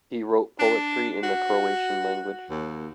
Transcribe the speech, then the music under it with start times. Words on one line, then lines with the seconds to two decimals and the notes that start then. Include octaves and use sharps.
He wrote poetry in the Croatian language.
0.60 D4
1.23 F#4
2.51 D#2